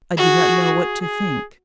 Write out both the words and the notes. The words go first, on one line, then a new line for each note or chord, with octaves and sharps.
I did not know what to think.
F#4 G#4
G#4